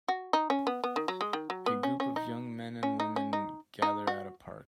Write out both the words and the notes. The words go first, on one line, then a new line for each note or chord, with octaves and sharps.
A group of young men and woman gather at a park.
F#4
D#4
C#4
B3
B3
D#3
F#3
G#3
D#3
F#3
B3
C#4
C#4
D#4
C#4
D#4
C#4
D#4
D#4
F#4